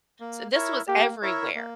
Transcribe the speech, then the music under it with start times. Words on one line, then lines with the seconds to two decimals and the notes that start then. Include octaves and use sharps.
so this was everywhere.
0.20 A#3
0.54 E4 A#4 C#5 E5
0.88 A#3 G4
1.22 E4 A#4 C#5 E5
1.55 A#3